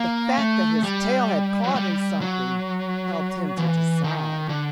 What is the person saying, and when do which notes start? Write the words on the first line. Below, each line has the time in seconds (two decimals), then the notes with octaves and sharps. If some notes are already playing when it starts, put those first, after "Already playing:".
The fact that his tail had caught in something helped him to decide.
Already playing: A#3
0.38 A3
0.83 G3
1.64 F#3
1.75 G3
2.21 F#3
3.57 E3
4.04 D#3
4.49 D3